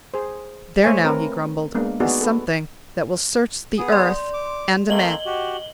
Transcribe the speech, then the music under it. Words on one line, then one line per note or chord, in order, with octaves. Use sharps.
"There now," he grumbled, "is something that will search the earth and a man."
G#4 C5
A3 C5 C#5 E5 G#5
C4 A#4 B4
G#3 A#3 B3 D4
B3 D#4 F#4 G#4 D5
A4 B4
B3 G#4 D#6
D5 C6
D6
A3 A#3 C4 D#5 F#7 G7
F#4 G4